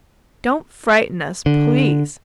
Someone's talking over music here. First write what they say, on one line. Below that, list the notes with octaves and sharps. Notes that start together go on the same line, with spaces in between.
Don't frighten us, please.
D3